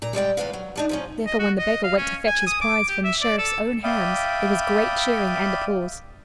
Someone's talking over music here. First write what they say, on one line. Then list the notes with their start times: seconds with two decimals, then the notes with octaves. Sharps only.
Therefore, when the beggar went to fetch his prize from the Sheriff's own hands, there was great cheering and applause.
0.02 A#2 A#5
0.13 G3 G#3 D5 G5
0.37 E2 D#3 B4 F5
0.53 F#3
0.76 G3 D4 D#4
0.89 C3 F3 C#4
1.27 D#5
1.39 F#4
1.58 D#5
1.84 F5
1.98 C#4
2.26 G#5
2.47 D#6
2.61 D6
2.89 G4
3.04 E5
3.21 D5
3.38 A4
3.84 D5 E5 F5 G5 B5 D#6